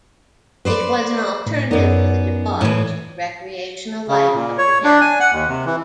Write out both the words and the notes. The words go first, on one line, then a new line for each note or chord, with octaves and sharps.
It was "an alternative for the 'debauched' recreational life of the town".
B4 C5 D5
A2
F#2 B3 D#4 A#4 D5
A2 E3
C#3
A#2
C#5
D4
G#5
F#5
D#2
C3
E3